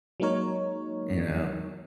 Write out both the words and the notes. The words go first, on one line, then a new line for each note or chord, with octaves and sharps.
you know?
F#3 G#3 A#3 D#4 A#4 C#5